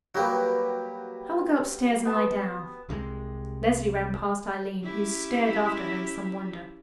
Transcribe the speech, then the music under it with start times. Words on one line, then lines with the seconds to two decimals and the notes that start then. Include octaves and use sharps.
"I will go upstairs and lie down." Leslie ran past Eileen, who stared after her in some wonder.
0.15 F#3 G3 A#3 F#4 G4 B4
2.05 B3 A5
2.89 C2 C3 E3 G#3
4.83 C#4 E4 G4